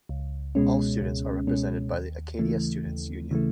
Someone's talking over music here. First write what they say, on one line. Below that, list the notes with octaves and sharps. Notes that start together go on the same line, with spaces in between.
All students are represented by the Acadia Students' Union.
C#2
B2 G#3 C#4
C#2
B2 G#3 C#4
D#2
C#3 E3 A3
D#2
C#3 E3 A3